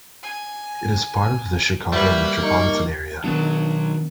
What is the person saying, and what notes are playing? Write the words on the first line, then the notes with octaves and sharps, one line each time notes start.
It is part of the Chicago metropolitan area.
G#5
G3 A#3 F#4 B4 E5
D#4 A#4 C#6
B2 D#3 F#3 B3 D4